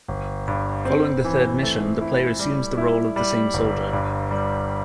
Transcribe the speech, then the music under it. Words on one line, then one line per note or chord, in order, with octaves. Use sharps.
Following the third mission, the player assumes the role of the same soldier.
G1
G2
C4
E3
A3
E4
G3
E4
G3
G1
G2
G3